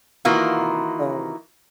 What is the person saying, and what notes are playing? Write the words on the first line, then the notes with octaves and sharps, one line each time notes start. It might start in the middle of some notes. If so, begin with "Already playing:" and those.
um so,
D#3 E3 A#3 F4 F#4